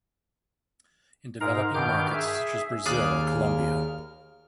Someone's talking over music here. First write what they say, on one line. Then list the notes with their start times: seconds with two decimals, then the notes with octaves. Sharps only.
In developing markets such as Brazil or Columbia.
1.41 G#2 A#4 F5 A#5
1.74 G2 B2 D#3 D6 F6 G6
2.13 G#4 E5
2.86 D#2 G#4 D5 F6 F#6